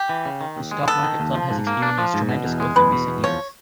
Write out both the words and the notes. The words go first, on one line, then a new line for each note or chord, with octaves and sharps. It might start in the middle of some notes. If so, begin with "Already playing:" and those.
The Stock Market Club has experienced tremendous growth in recent years.
Already playing: G4
E3
C#3
D#3
D#2
G#3
B3 A4
D#3
D#2
F3
G#2
A#3
D4
F3
G#2
B2
E2
G#3
E2 B4
B2
E2
F3 C#5